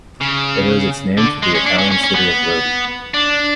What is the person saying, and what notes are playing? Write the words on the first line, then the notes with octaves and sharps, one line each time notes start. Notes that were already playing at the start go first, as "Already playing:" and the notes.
It owes its name to the Italian city of Lodi.
C#3
D3
G#3
C#4
D4
C#4
C#4
C#4
B3
D4